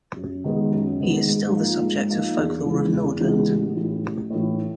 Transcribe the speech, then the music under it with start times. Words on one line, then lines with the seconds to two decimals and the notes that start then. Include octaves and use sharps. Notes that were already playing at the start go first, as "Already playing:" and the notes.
He is still the subject of folklore of Nordland.
0.16 F#2
0.44 D#3 G#3 B3
0.71 F#2
1.00 D#3 G#3 B3
1.27 G#2
1.54 F3 A#3 D#4
1.82 G#2
2.10 F3 A#3 D#4
2.38 E2
2.65 C#3 E3 G#3 B3
2.93 E2
3.20 C#3 E3 G#3 B3
3.48 A1
3.76 A2 E3
4.04 A1
4.31 A2 E3